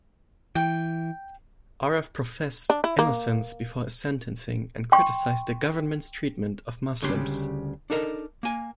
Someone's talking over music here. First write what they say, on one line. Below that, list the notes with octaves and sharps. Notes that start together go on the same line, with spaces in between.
Aref professed innocence before his sentencing, and criticized the government's treatment of Muslims.
E3 G5
D4
E4
A#3
G5 C6 C#6
D2 C#3 G3 D4 G4 C6
D4 D#4 A4 A#4 D#5
A#3 G#5